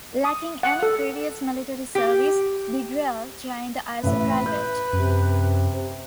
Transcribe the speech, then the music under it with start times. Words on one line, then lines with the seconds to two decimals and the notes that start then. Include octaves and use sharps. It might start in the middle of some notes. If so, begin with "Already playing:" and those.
Lacking any previous military service Degrelle joined as a private.
0.25 D#6
0.63 F#5
0.82 A4
1.95 G4
4.03 A1 A2 B4 E5
4.46 G6
4.93 F#2 C3